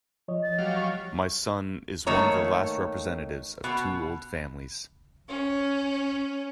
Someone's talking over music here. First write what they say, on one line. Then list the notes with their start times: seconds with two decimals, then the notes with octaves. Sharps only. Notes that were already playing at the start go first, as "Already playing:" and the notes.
My son is one of the last representatives of two old families.
0.28 F3 C#5 D#5
0.43 A6
0.58 F#3 G3 F5
0.75 C#6
2.06 D#3 A3 A#3 C#5 A#5
3.64 B2
5.27 C#4